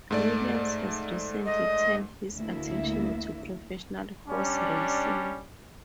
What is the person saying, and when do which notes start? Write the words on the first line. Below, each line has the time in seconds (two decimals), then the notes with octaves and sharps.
Williams has recently turned his attention to professional horse racing.
0.11 G#2 A3 D5
1.45 D#5
2.36 D2 A#3 E4 E5
4.28 G3 C#4 D4